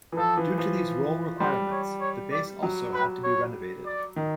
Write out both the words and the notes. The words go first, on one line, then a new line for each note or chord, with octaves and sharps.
Due to these role requirements, the base also had to be renovated.
E3
F3 A4
E3
F3
G3 C5
C#5
C#5
D5
F#3
B4
C#5
D5
D#3